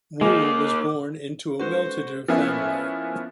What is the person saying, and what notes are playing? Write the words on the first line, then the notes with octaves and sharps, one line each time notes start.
Wu was born into a well-to-do family.
G#3 A#3 D#4 D6
G#3 C#4 D#4 F#4 A4 B4 C5
F3 A#3 B3 C#4 E4